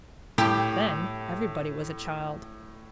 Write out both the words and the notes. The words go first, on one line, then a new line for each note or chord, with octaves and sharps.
Then, everybody was a child.
A2 G4